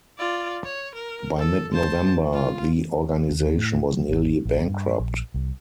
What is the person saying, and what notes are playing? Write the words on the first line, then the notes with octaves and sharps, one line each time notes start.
By mid-November the organization was nearly bankrupt.
F4 D5
C#5
A#4
A4
C5 A5
F4
D#2
A2
F#3
G#1
A#1
G2
A#1
C2